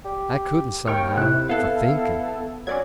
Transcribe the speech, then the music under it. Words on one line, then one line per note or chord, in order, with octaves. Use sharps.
I couldn't, somehow, for thinking.
G4
D#2 G5 C#6 F6
C3 E4 F#6
B3 E4 A4 F5
F#3 C#4 D5 G#6